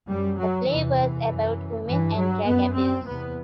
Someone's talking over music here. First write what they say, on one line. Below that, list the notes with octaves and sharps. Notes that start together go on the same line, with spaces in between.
The play was about women and drug abuse.
F#2 G3
F#3
E2 C3 E3
F#2
G2 E3
F#3
F#2 B3
C4
E2 C3 B3